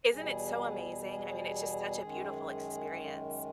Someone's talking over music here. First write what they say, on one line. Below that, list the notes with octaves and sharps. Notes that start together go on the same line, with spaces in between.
Isn't it so amazing? I mean, it's just such a beautiful experience.
E2 B2 G3 G#4
G#4
F#2 D#3 G#3